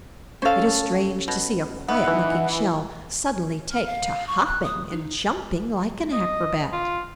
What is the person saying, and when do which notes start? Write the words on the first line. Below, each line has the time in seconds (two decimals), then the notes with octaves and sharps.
It is strange to see a quiet-looking shell suddenly take to hopping and jumping like an acrobat.
0.42 C#4 A4 C5 F5
1.28 B2
1.88 B3 D#4 E5 F#5
2.08 E3
3.71 F6
3.86 F5
4.27 C#6
4.46 F#6
4.63 D#6
4.92 D#4
6.12 D#5
6.73 F4